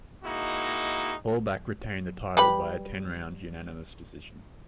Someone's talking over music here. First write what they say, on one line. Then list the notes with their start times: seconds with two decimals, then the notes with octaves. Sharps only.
Hallback retained the title by a ten round unanimous decision.
0.24 G#3 A#3 D#4 E4 F#4
2.37 G3 B4 B5